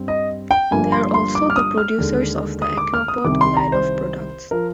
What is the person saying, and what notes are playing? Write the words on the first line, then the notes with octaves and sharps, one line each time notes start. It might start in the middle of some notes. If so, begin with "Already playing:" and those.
They are also the producers of the Aquapod line of products.
Already playing: G2 C4
D#5
G5
G1 G2 F3 A#3 G#5
C6
C6
D6
F6
D#6
F6
D#2 D3 G#3
D#6
D6
F6
D#6
C2 C3 D#3 D6
C6
A#5
C5
F3 A#4